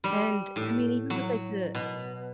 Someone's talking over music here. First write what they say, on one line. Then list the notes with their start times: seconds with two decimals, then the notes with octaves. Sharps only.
And, I mean, even with, like, the
0.04 G3
0.56 A2
1.10 F#3
1.75 B2